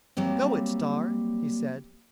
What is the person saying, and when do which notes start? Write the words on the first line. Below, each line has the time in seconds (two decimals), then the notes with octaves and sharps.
"Go it, Star!" he said.
0.17 F#3 G3 A#3 C4